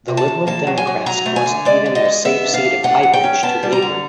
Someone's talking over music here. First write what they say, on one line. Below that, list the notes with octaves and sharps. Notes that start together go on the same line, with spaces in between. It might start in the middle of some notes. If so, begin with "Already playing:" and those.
The Liberal Democrats lost even their safe seat of Highbridge to Labour.
C3
A5
C3
A#3 A5
F#3
G#5
F#3
F#3 A#5
A3
G#5
D3
G#3 D5
D3
D#5
G#3
B3 E5
D4
F5
D4
A3 F#5
F#3
G5
C#4
B3 A5
G3
A#5
D3